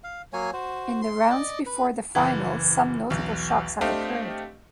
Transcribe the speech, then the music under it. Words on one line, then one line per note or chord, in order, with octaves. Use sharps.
In the rounds before the final some notable shocks have occurred.
F5
F#3 A#3 C#5 G#5
F#4 C5
C6
D5 D#5
B4
F#1 E3
B1 E2
A3 C4 D4 G4 D#5 F5